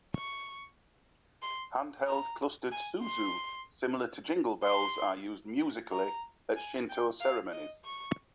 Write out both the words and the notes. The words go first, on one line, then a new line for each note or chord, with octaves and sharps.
Handheld clustered "Suzu", similar to jingle bells, are used musically at Shinto ceremonies.
C#6
C6
A#5
G#5
C6
C6
A#5
G#5
G5
F5
D#5
C#6